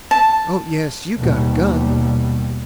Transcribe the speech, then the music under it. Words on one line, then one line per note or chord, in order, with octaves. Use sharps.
Oh, yes, you got a gun.
A5
D#2 B2 G3